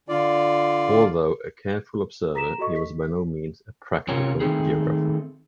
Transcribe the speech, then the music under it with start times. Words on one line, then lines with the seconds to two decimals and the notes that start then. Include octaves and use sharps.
Although a careful observer, he was by no means a practical geographer.
0.09 D3 F4 D5
2.35 A#5 A#6 B6 E7
2.59 F#4 A4 D#5 C#6
2.76 B6
4.08 C3 C4 C#4 F4 A#4 C#5
4.40 D#3 F3 A3 C4 D#4 G#4